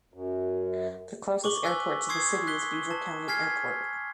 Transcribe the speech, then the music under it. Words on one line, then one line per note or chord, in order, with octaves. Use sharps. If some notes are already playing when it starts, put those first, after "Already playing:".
The closest airport to the city is Beaver County Airport.
F#2
C#6 D6 F#7 G7
G#5 E6 F#6 B6
C6 C#6 D#6 G#6 C7
F#6 B6 G7
A5
G#5 F6 G#6 B6 C7